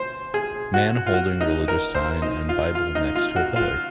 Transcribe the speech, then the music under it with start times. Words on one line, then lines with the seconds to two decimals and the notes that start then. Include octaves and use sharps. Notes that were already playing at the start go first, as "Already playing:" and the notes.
Man holding religious sign and bible next to a pillar.
Already playing: C5
0.34 G#4
0.74 F#4
1.06 F4
1.14 F#4
1.41 D#4
1.68 A#4
1.95 C5
2.22 D#4
2.49 F4
2.75 F4
2.95 D#4
3.15 F4
3.36 F#4
3.56 F4